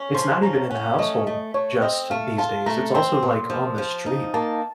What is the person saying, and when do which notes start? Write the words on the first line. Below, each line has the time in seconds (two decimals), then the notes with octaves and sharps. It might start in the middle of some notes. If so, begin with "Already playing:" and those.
It's not even in the household, just these days, it's also, like, on the street.
Already playing: C#4
0.15 F3 C6
0.42 C#4 A#5
0.70 C#4 F#5
0.99 A3 D#5
1.27 A3
1.54 A3 C#5
1.82 C4 D#5
2.10 A3 F5
2.38 F4 A5
2.66 A3 A#5
2.94 C4 C6
3.22 A#2
3.50 F3
3.78 F3
4.06 D#4
4.34 A#3 A5